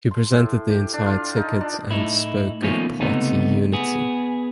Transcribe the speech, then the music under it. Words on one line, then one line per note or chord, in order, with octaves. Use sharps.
He presented the entire ticket and spoke of party unity.
C6
A2
G4
D4
F4
D#4
D4
A2 D#4 E4
B2 D#3 F3 A3 A#3 C#4
C#2 C3 A3 B3 D#4
B3 G#4